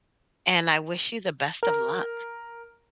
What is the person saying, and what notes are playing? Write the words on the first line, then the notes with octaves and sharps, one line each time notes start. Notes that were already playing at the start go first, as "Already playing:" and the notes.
and I wish you the best of luck.
A#4